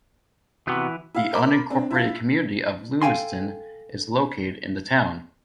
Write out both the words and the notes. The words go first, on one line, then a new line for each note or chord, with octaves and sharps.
The unincorporated community of Lewiston is located in the town.
C3 E3 B3 F#4 B4
E4 F5
A#4 C5 A#5 B5 D6
C4 D4
E4 F4
A4 F5 G5 G#5 C6